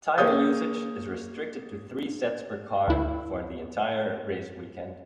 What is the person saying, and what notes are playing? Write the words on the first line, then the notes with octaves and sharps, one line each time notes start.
Tyre usage is restricted to three sets per car for the entire race weekend.
A#3 G#4 C#5 D#6 G6
D2 E4